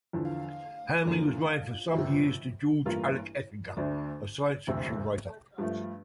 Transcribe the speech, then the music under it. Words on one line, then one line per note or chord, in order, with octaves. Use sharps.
Hambly was married for some years to George Alec Effinger, a science fiction writer.
E2 D3 F3
E2 D3 F3 A#3
G1 F2 C3
A1 G2 E3 A#3 F4
D2 D3 A3 D4
E1 D2 C3
G2 F3 A3